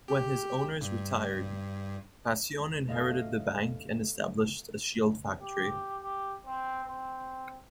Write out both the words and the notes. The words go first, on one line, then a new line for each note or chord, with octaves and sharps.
When his owners retired, Pasion inherited the bank and established a shield factory.
G4
G2
A3 D#5 F5
G4
G4
C4
C4